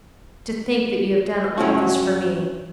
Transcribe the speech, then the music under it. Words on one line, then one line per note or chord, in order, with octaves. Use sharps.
"To think that you have done all this for me."
G2 F#3 C#4 E4 F#4